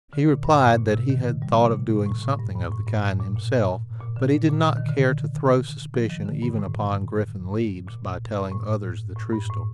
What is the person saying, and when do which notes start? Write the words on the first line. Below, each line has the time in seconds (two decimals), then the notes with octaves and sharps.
He replied that he had thought of doing something of the kind himself; but he did not care to throw suspicion even upon Griffin Leeds by telling others the true story.
0.13 D3
0.29 A#2
0.45 G2
0.61 A2
0.77 A#2
0.93 C3
1.10 D#3
1.42 G3
1.58 C3
1.74 A#2
1.90 A2
2.06 A2
2.22 A2
2.39 G2
2.55 G2
2.71 A2
2.87 G2
3.03 A2
3.20 A#2
3.36 A#2
4.00 A#2
4.16 D3
4.33 A#2
4.49 A#2
4.65 D3
4.77 D#3
4.89 D3
5.94 F3
6.10 D#3
6.26 D3
6.42 G2
6.59 A2
7.87 A#2
8.41 G2
8.52 A2
9.16 A2
9.33 G2
9.49 A2